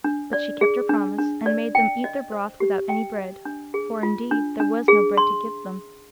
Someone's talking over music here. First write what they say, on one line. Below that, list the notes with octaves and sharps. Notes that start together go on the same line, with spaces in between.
But she kept her promise, and made them eat their broth without any bread; for, indeed, there was no bread to give them.
D4
D5
G#4
D4
D4
D5
G5
D#5
C5
G4
G5
D#5
D4
G#4
F4
D4
D4
G#4
C6